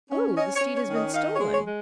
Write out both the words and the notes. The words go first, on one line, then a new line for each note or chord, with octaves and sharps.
"Oh, the steed has been stolen?"
C#4
C#4 D#5
C#5
C#4
C#5
D#3
D#5
D#4 F5
C#5
G#3
C#5
G#3